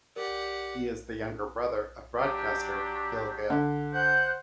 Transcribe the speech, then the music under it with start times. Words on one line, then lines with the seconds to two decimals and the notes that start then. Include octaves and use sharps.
He is the younger brother of broadcaster Phil Gayle.
0.16 G4 A#4 D5 F#5
2.17 F#3 D4 G4
3.50 D3
3.93 C5 F#5 G6